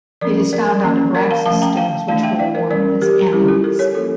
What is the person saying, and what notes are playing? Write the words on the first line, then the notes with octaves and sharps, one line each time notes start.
It is found on Abraxas stones, which were worn as amulets.
F3 C#4 A#4 D5
A#4 D5
E3 A#3 C#4
A#4 D5
F5 A5
F3 A3 C#4 F5 A5
G5 A#5
F5 A5
E3 A3 D4 F5 A5
E5 G5
D5 F5
A#4 D5
E3 G3 C#4 A#4 D5
G4 A#4
G3 C#4 E4 G4
F4 A4
G4 A#4
A4 C#5
F3 A#3 C#4 F4 A4